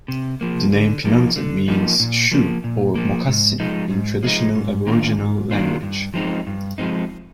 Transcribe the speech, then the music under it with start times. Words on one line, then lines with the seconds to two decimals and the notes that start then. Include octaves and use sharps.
The name Pinantan means shoe or moccasin in traditional Aboriginal language.
0.08 C3
0.41 F3 A#3
0.72 D3
1.05 F3 A#3 D#4
1.36 D3
1.68 F3 A#3 D#4
2.00 A#2
2.31 F3 A#3
2.64 A#2
2.95 F3 A#3
3.28 G#2
3.60 F3 G#3 D#4
3.91 G#2
4.23 F3 G#3 D#4
4.55 G#2
4.87 D#3 A#3 D4 F4
5.19 G#2
5.51 D#3 A#3 D4 F4
5.83 G2
6.14 F3 G#3 C4 D#4
6.47 G2
6.78 F3 G#3 C4 D#4